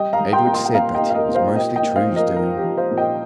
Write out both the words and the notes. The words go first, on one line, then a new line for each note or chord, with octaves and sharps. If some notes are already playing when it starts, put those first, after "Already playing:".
Edred said that it was mostly True's doing.
Already playing: G3 D#5 G5
F5 A#5
G3
G5 C6
A#2 A#5
G5 C6
G5
A#2 F5 A#5
D#5 G5
A#2
F5
A#4 D#5
A#2
C5 F5
A#2 D#5 G5
D#5 G5
A#2
C5 F5
F3
A#4 D#5
F3 A#4
G4
F3
C5 F5
A#2
D#5 G5